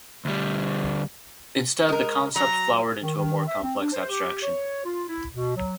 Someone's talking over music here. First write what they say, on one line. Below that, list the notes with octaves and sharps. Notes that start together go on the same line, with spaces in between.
Instead, the concept flowered into a more complex abstraction.
D2 G3
G#3 A#4
F#3 A#5
D#3
D#3
E5
C4
D4
C5
G4
C#5
F4
E4
B2
F#3